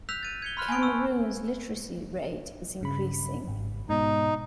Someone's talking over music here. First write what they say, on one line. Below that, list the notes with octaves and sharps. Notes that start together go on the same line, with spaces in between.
Cameroon's literacy rate is increasing.
E6 F#6 G6 B6 F7
A6 D#7
G#6 C#7 G7
B5 C6 F6 F#6
G#5 A5 B5 G#6 D7
C#6 E6
G2 C#3 B5
G#1
G#2 B2 D#4